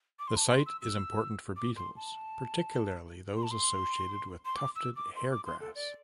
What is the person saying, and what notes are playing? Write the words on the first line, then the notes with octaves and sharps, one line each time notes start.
The site is important for beetles, particularly those associated with tufted hair-grass.
D6
C6
A5
C6
E6
E6
D6
C6
A5
C6
A5
C6
C6
D6
E6
D6
C6
D6
C6
A4
D5